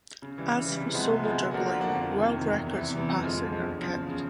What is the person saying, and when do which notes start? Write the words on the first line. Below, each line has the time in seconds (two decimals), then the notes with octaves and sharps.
As for solo juggling, world records for passing are kept.
0.22 C#3
0.38 E3 G3
0.52 C#3
0.66 E3 G3
0.80 C3
0.94 F3 G#3 B3
1.08 C3
1.24 F3 G#3 B3
1.38 D3
1.51 F3 A#3 D4 F#4
1.66 D3
1.80 F3 A#3 D4 F#4
1.95 F2
2.08 C3 D#3
2.23 F2
2.37 C3 D#3
2.52 E2
2.67 C3 E3
2.80 E2
2.95 C3 E3
3.09 F2
3.23 D3 F3 G#3
3.37 F2
3.52 D3 F3 G#3
3.66 E2
3.80 C#3 F3
3.94 E2
4.10 C#3 F3